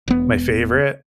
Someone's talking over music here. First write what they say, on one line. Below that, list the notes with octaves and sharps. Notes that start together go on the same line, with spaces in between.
my favorite.
E1 B3